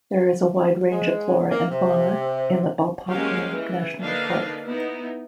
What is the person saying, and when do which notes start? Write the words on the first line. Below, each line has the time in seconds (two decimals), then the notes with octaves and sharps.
There is a wide range of flora and fauna in the Balpakram National Park.
0.91 G#3
1.50 A#3
1.71 C3
3.10 F#3 G#3 A#3 C#4 G4 F5
3.53 E3
4.01 D3 A#3 D4 D#4 B4 F5
4.64 B3 D#4 E4